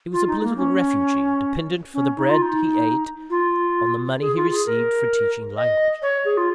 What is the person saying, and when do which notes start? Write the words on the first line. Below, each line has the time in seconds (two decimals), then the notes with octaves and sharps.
He was a political refugee, dependent for the bread he ate, on the money he received for teaching languages.
0.13 F4
0.27 D#4
0.43 A#3
0.57 C#4
1.94 C#4
2.17 D#4
2.29 F4
2.42 D#4
3.30 F4
4.21 G#4
4.36 F4
4.51 G#4
4.66 A#4
5.57 D#5
6.02 C#5
6.25 G#4
6.37 F4